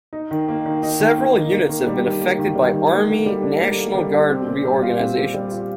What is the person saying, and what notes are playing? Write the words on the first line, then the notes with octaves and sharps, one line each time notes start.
Several units have been affected by Army National Guard reorganizations.
D#4
D#3
A#3
D#3
D#4
D#3
A#3
D#3
A#3
D#3
G3
D#3
A#3
D#3
G3
D#3
A#3
D3
G3
D4
A#3
D3
G3
D4
C4
A#2
G3
F4
C4
A#2
G3
F4